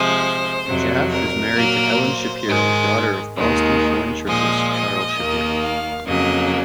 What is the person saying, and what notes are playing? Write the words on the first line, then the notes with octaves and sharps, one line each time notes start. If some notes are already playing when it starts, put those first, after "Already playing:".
Jaffe is married to Ellen Shapiro, daughter of Boston philanthropist Carl Shapiro.
Already playing: C3 F3 G#3 C5
F2 C3 F#3
A#4
A#2 F#3 A#3
C5
G#2 D#3 G#3
D#2 D#3 G#3
A#2 F3 G#3 D#5
D#5
D#2 D#3 A#3
F5
F2 C#3 F#3 A#3 D#5